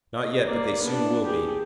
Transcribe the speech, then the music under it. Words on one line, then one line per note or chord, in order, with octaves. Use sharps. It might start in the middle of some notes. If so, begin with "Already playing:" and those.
"Not yet, but they soon will be."
D#5
A#3 D5
B3 D4
G4 G#4